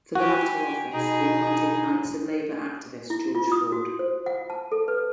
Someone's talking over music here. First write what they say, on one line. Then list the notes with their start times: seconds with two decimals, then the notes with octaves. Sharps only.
For the latter office, he appointed Knights of Labor activist George Ford.
0.15 F#4 G4 G#5
0.93 B2 D#4 G#4
3.10 E4
3.35 F4
3.52 D#6
3.72 F#4
3.99 C5
4.26 F#5
4.50 A5
4.72 A4
4.88 B4